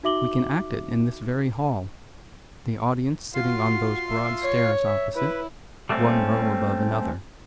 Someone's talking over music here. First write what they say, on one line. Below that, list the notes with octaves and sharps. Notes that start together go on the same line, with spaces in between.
We can act it in this very hall, the audience sitting on those broad stairs opposite, one row above another.
D#4 F#4 E5 D6 F#7 G7
F4 F#4 F5 C6
E5
C#5
E5
E4 B4
G3 A3 A#3 C4 C#4